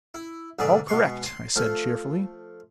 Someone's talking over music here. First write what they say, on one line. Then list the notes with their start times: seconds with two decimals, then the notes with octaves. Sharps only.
"All correct," I said cheerfully.
0.14 E4
0.59 B1 G#2 D3 G#4 D5
0.88 B2 G#3 C6 C#6
1.26 C6
1.56 F3 A3 F4